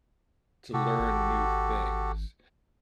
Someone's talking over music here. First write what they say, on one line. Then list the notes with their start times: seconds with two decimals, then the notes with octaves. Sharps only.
to learn new things
0.73 C3 F#4 G4 A4
0.99 G#1